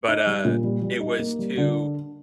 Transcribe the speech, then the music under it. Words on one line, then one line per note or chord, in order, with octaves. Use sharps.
but, uh, it was too
D#4
G3
A#2
G3
G3
D#4
A#3
G3
D3